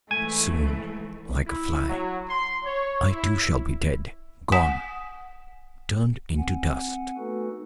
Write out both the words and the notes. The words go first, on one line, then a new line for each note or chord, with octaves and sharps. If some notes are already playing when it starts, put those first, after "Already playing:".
Soon, like a fly, I, too, shall be dead, gone, turned into dust.
G#2 E3 A3 G#5
E4
F#3
C6
C#5
E4
F#5 G#5 D#6 B6 E7
C4 F#5 G#5
A3 B3 D#4 F#4 A4 B4